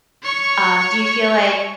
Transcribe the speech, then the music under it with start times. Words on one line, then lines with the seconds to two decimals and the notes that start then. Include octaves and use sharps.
um Do you feel like
0.23 C#5 C#6